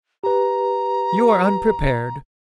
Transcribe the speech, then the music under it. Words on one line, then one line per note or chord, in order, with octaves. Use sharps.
You are unprepared.
G4 B4 A#5